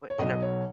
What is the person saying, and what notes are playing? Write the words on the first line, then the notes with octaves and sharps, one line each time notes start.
were ina
C#5
B1 B2 F#3 D#5
C#5